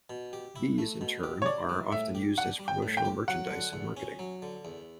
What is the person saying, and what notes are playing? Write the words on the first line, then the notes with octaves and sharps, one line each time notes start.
These, in turn are often used as promotional merchandise in marketing.
B2
G4
E4
A3
B2
G4
C#5
D4 D5
G3
A2 E5
G4
D4 F#5
G3
G5
A2
G5
G4
F#3 F#5
D3
E2
C#4
F#3
D3
E2